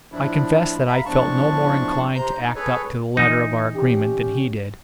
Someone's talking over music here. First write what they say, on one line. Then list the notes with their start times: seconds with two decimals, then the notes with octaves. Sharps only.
I confess that I felt no more inclined to act up to the letter of our agreement than he did.
0.12 A2 F3 D4 E4
0.87 E5 F5 A#5 B5
1.05 E2 A2 F3 D4 A5 C#6
2.16 C3 C5 A#5 G6
2.37 D#4
2.55 G#4 A4 B4 C#5
3.17 E3 D#4
3.74 C#4 G4